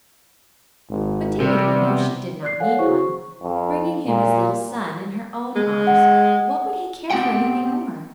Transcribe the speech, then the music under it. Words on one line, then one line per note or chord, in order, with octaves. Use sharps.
But David would know she did not need one; bringing him his little son in her own arms, what would he care for anything more?
G#1
C3 G3
B3
D5 F#6 C7
A4 C#5 F5 F#5 G#5
E4 F#4 G#4 C5 C#6
C#6
F2
A#2
G#3
F#5
B3 C4 G4 F#5 G5